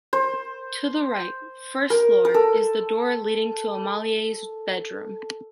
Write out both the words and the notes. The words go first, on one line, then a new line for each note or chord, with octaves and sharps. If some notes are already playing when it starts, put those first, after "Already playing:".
To the right, first floor, is the door leading to Amélie’s bedroom.
C5
A#4
A#4
A4